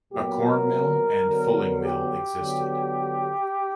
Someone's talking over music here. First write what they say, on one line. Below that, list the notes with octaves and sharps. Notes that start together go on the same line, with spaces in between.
A corn mill and fulling mill existed.
A#2 F#3 B3 G4
A#4
D3 F#3 B3
G4
D3 F#3 B3